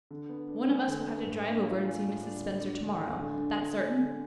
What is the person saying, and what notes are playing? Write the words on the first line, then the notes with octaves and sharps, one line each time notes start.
One of us will have to drive over and see Mrs. Spencer tomorrow, that's certain.
D3
B3
D4
G#3
D3
B3
A2
D4
F4
G#3
A2
D4
D3
D4
D3
G#3
D3
D4
D3
G#3
D3